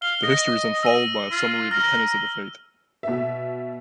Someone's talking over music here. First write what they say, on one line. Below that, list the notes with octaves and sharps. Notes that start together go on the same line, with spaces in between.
The history is then followed by a summary of the tenets of the faith.
F5 G7
D#5 A#6
E6 D#7
F4
A#5 F6
B2 E5